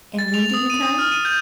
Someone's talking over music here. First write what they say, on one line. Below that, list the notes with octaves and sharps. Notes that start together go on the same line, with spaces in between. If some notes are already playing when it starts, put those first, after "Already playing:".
"And when do you come?"
A6
F7
D#6
D#7
D#6
F6
D#7
G6